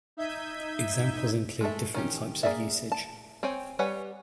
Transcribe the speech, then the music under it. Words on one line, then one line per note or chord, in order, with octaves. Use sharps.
Examples include different types of usage.
D#4 E5 G6 G#6 B6 D#7
G#3 A3 A4 E5
D#3 C#4 G4
A#3 F#4 G#4 D5 E5
A5
C4 C#5 G5 G#5
G3 B4 C#5 F#5 G#5